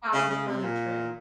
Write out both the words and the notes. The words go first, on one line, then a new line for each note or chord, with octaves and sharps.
Follow the money trail.
C#3
C#3
C3
A#2